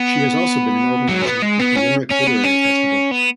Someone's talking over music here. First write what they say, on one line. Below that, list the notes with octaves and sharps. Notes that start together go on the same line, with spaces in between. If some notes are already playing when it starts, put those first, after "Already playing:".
She has also been an organiser of the Limerick Literary Festival.
Already playing: B3
F#3
C#4
B3
G#3
B3
C#4
C#4
B3
C#4
B3